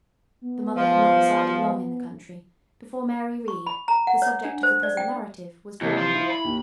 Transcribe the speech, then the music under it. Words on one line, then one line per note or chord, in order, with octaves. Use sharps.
The mother had not resided long in the country before Mary Read, the subject of the present narrative, was born.
B3
F3
C#6
B5
A#5
F#5
C#5
D4
C5
D5
G5
D#2 C3 E3
F4 C5
E4
B5
D#2